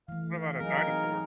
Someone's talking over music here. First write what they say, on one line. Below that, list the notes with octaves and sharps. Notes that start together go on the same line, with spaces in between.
What about a dinosaur?
E3 A3 F5
F#3 C4 D#4 G#4 A#4